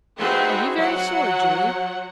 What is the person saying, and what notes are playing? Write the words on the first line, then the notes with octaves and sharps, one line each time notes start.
"Are you very sore, Julie?"
C4 D#4 F#4 G#4 B4 E5
F#3 F#5